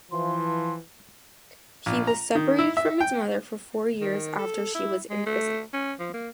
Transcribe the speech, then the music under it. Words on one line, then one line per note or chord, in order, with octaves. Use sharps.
He was separated from his mother for four years after she was imprisoned.
E3 F3 C6
A#1
A#5
D#3
E4
E5
G5
D#3
A4
E4
G#3
A3
C#4
F3
A#3